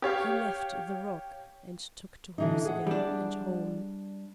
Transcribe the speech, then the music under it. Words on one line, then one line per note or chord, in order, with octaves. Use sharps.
He left the rock, and took to horse again, and home.
G4 C#5 F5
D3 E3 D#4
G#4 F#5
G3 D4